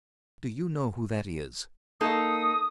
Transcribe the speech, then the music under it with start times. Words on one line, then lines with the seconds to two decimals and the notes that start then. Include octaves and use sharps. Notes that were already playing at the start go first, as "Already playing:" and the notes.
"Do you know who that is?"
2.01 A#3 D#4 A4 D#6